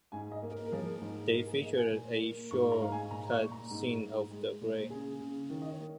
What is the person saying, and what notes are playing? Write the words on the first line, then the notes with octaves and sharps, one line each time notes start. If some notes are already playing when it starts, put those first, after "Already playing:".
They featured a short cut scene of the grave.
G#2 G#5
D#5
A#3
A#4
A#4
F3 G#4
G#2
A#3 A#4
G#4
A#3 D#5
G#5
A#2
A#3
G#2 C#6
A#5
G#2 F5
G#5
A#2 A#5
C#6
A#2
A#5
G#2
G#2
G#3
A#2
C#3 G#4
C#3
D#3
D#5
C#5
A#3